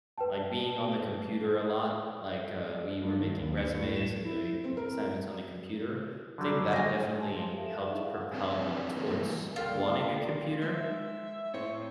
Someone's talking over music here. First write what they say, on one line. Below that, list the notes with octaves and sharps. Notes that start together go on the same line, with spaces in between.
like, being on the computer a lot, like, uh, we were making resumes and doing assignments on the computer, think that definitely helped propel me towards wanting a computer
B4 G5 A5
G2
D#3
D#2
C#7
A2
E7
E4
C4
A#4
D3 F#3 G3
D#5 G#5
G#5 A5
D#5 F5 C6
G4 A4 A#4 E5 F5
E7
D4 G#4 E5 F#5 A5
D#4 E4 D#5 F5 F#5 C#6
C4 D4 D#4 G#4 B4 C#5
E3 G3 A3 A#3
C#2 A#2 D3 F4 A4 A#4 G5
G#3 E5
A2 C4 C#5